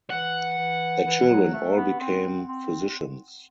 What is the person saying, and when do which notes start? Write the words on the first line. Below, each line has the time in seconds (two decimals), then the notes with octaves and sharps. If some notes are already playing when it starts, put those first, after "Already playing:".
Their children all became physicians.
0.10 E3 F#5
0.58 E3
1.05 E3
1.21 E3
1.28 F#3
1.53 A3
1.77 B3
2.00 C4
2.48 C4